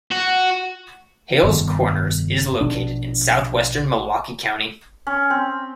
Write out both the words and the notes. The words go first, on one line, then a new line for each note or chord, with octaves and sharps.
Hales Corners is located in southwestern Milwaukee County.
F#4
F1 G2 D#3 B3
A#1 B2 D4
C#4
C4